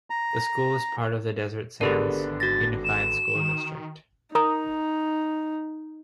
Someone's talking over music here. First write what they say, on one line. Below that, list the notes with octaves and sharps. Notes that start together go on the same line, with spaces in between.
The school is a part of the Desert Sands Unified School District.
A#5
G#1 D3 B3 D4 G4 G#4 A#4
F#4 A6 A#6
E7
D#3
D#4 A#4 A#5 D#6